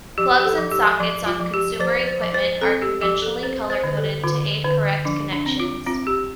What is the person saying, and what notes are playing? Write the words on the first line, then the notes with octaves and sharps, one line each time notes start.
Plugs and sockets on consumer equipment are conventionally color-coded to aid correct connections.
F3 G4
G4
A4
F3
G4
F3
F4
F3
G4
F3 C5
C5
F3
C5
C4 A4
G4
F3 G4
A4
C4 C5
C5
D3
A4
D3 F4
D3
F3 D4
D4
C4
F4
C4 F4
G4